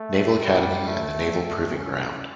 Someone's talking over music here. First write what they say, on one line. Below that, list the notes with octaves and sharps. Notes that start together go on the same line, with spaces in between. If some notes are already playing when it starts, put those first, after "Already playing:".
Naval Academy and the Naval Proving Ground.
Already playing: A3
G3
A3
C#4